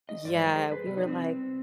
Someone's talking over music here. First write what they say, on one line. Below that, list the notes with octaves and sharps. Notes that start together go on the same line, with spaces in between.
Yeah, we were like,
D#5
G2 F3 G#3 D5
C5
G#4
B4
C3 G3 B3 D5
D#4
C4